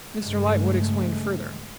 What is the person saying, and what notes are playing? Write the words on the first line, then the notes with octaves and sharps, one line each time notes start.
Mr Lightwood explained further.
G2 C#3 G#3 A3